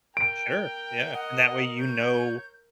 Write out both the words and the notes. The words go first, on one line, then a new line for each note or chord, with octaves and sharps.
Sure, yeah. And that way you know
A#4 G5 D7
D#5 F#5
C#5 G6